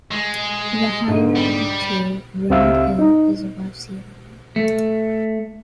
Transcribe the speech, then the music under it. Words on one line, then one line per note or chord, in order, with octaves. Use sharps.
The higher of the two, Round Hill, is above sea-level.
G#3
G#2 D3
G3
C#2 C4 G4 E5 F5 E6
D#4
A3